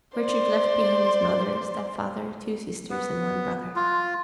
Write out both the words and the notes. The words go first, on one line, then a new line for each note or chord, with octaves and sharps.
Richard left behind his mother, step-father, two sisters, and one brother.
C5 D5
B3
F4